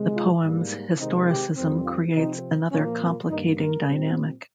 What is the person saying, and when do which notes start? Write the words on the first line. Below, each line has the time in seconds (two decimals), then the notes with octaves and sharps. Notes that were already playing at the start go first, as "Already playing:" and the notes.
The poem's historicism creates another complicating dynamic.
Already playing: C3 D#3 G#3
0.14 F4
0.41 G#2 G3 A#3
0.99 C3 D#3 G#3 C4 D#4
1.28 G4
1.56 F2 D#3 G3 C4
1.86 F4
2.14 C3 F3 C4 D#4
2.71 A#2 F3 A#3 C#4
3.00 C4
3.28 G2 D#3 A#3 D#4
3.58 A#4
3.86 A#2 G3 C4